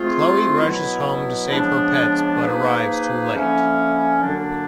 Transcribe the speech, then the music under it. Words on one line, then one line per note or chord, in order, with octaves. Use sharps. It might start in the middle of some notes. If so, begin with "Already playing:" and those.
Chloe rushes home to save her pets but arrives too late.
Already playing: F3 A3 C4 F4 G#4
B2 F#3 B3 E4
C#3 F3 G#3 B3 D4
F3 A#3 D#4 G#4 B4
D3 F3 A#3 C#4 E4
F#2 D3 F#3 A#3 D4